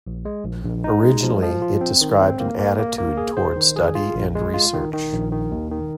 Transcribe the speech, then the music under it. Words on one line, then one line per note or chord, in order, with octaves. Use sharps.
Originally, it described an attitude toward study and research.
A#1
G#3
A#1
A#1
D#4
G#3
F3
F3
F4
C4
D#3
C4
A#3
A#3
A#3
A#3
G#4
C5
D#3
G#4
F4
A#1
G#3
F4
D#3
D#3
A#1
D#3
D#2
D#3